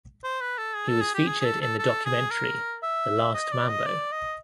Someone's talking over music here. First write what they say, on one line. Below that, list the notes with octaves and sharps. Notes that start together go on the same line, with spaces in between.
He was featured in the documentary "The Last Mambo".
C5
B4
A4
G#4
A4
G#4
G4
G#4
G#4
A4
A4
A4
G#4
A#4
E5
D#5
D5
D#5
D5
D#5